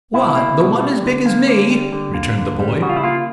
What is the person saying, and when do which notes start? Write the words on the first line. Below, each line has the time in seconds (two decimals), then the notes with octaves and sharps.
"What, the one as big as me?" returned the boy.
0.13 B2 E4
0.36 A#3
0.59 B2
0.81 G3
1.03 D3
1.26 A#3
1.48 D3
1.70 G3
1.92 D3
2.14 A#3
2.37 D3
2.60 G3
2.82 C#3 F#4
2.89 F4
2.96 E4
3.03 A#3 F4